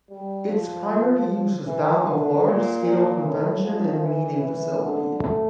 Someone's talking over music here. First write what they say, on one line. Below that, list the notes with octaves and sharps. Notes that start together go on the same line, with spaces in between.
Its primary use is that of large scale convention and meeting facility.
G3
F3
E3
D3
A#2
A#2
A2
F3
E3
E3
D3
A3